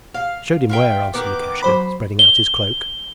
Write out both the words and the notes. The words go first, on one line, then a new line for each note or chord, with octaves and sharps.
'Showed him where,' answered Lukashka, spreading out his cloak.
F5
F4 E5 G5
D#3 B3 D6
F#3 C5 B5
G7